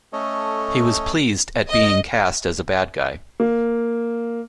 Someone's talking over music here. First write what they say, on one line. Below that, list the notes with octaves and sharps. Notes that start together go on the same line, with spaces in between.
He was pleased at being cast as a bad guy.
A3 C#4 A4 C#5 D#5
D#5
A#3